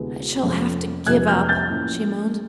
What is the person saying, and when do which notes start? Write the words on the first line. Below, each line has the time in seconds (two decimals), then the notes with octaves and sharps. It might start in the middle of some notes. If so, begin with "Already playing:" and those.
"I shall have to give up!" she moaned.
Already playing: D2 C3 E3 G#3 B3
0.43 F2 C3 F3 A3 C#4
1.07 F2 C3 F3 A3 C#4 F#6 G#6
1.28 F6 G6
1.49 G6 A6
1.70 A2 F3 A#3 C#4